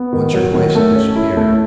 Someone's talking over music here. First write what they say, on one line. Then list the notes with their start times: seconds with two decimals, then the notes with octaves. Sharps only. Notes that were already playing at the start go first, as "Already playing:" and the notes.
Once or twice it disappeared.
Already playing: B3
0.13 D#3
0.34 F#3
0.53 D#3
0.75 A3
0.95 C#4
1.16 E4
1.37 A3